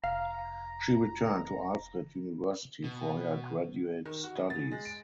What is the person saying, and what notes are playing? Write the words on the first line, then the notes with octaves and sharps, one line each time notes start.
She returned to Alfred University for her graduate studies.
F1 F5 A#5
B2
D#3
F#4
C#3
A6
G#3
D7